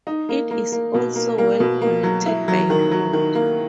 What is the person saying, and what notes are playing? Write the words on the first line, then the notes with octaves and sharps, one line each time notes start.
It is also well connected by road.
D#4
A#3
A#3
A#3
B2
A#3
A#3
B2
A#3
F#3
E4
F#3
D#3
F#3
D#3
A#3